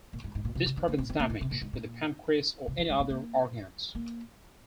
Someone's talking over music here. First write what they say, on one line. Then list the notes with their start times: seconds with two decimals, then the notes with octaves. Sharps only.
This prevents damage to the pancreas or any other organs.
0.13 A#2
0.24 G#2
0.35 G#2
0.45 A#2
0.55 C3
0.66 C3
0.77 D#3
0.88 A#3
0.98 C4
1.09 C4
1.20 A#3
1.30 D#3
1.41 C3
1.51 A#2
1.62 G#2
1.73 A#2
2.68 C3
2.78 F3
2.89 G#3
3.00 A#3
3.10 A#3
3.95 A#3